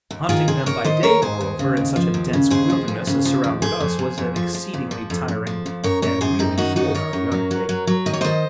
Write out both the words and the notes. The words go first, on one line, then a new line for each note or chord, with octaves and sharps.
Hunting them by day, moreover, in such a dense wilderness as surrounded us, was an exceedingly tiring and really foolhardy undertaking.
D#2
D#3 F4 G#4
D#2 G#4 C5
D#2 A#4 C#5
D#3 C5 D#5
D#2 A#4 C#5
D#2 G#4 C5
D#2
C#3
D#2
F3
D#2
C#3
D#2 G#4 C5
F3
D#2
C#3
F3
D#2
F2 G#4 C5
F2
F2
F2
F3
F3
F2
F3
F2
F2
F3
F2
F#2 A#4 C#5
F#2 A#4 C#5
F#2 G#4 C5
F#2 C4 D#4
D#3 D#4 F#4
F#2 D#4 F#4
D#3 A#4 C#5
F#2
F#3
F#3
F#3
F#3
D#3 D#5
C#5
D#3 C5 D#5